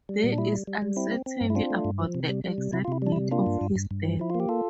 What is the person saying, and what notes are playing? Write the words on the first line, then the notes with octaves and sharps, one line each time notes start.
There is uncertainty about the exact date of his death.
G3
A#2
D4
G3 E4
G3
G3
G3
C4 E4
C4
C4
G2
E4
C4 D4 F4
A3
G2
F3
C3
G3
G3
C3
C3 E4
F4
C3 E4
G3 D4
E4
C3
A#3 D4 F4
G2
G2
G2
G2
F3
F3 E4
F4
A#3
G4
F4 A4